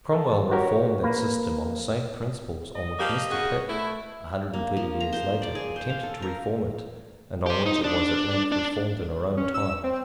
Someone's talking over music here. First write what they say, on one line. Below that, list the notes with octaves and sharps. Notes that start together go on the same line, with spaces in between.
Cromwell reformed that system on the same principles on which Mr. Pitt, a hundred and thirty years later, attempted to reform it, and on which it was at length reformed in our own times.
A4
F#4 G4 A#4 C#5
A#3 B4
D#5
F3 A#3 G4
C#3 F#4 G#4
A3 E4
A#3
F3
A#5
C5
D5
G#4
C5
F5
A4
A#4
G4 C5
D#4
D4
D4
C#4
E6
C4